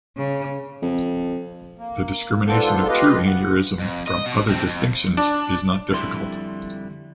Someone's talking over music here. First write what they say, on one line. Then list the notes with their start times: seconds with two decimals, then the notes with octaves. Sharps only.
The discrimination of true aneurysm from other distinctions is not difficult.
0.17 C#3
0.82 F2
1.79 A#3
2.46 G#2 B3 D4 F4 A4 G6
2.88 F4 G4 B4 D#5 F5
3.27 F#5
3.79 F2
4.07 D#5
4.26 B2
4.48 A2 C4
4.66 F2
5.17 D4
5.91 F2 D3 G3 E4 C6